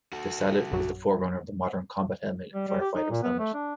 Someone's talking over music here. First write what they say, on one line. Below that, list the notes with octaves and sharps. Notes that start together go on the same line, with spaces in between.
The sallet was the forerunner of the modern combat helmet and firefighter's helmet.
F#4 A4
A#1 F#2 F#3
G3
G3
G4
D#4
A#2
B3
A3
D4